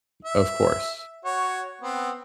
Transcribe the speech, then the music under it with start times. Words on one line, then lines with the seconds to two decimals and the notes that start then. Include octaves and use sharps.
Of course.
0.25 E5
1.25 F#4 C#5
1.82 B3 C4